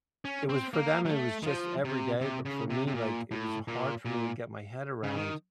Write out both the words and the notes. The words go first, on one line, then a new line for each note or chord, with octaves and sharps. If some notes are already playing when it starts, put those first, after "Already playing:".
it was for them it was just every day, but for me, like, it was hard for me to get my head around,
C#4
C4
A#3
F#3
A3
D#3
F3
C3
C3
C#3
C3
C3
A#2
A2
A#2
A#2
C#3
D#3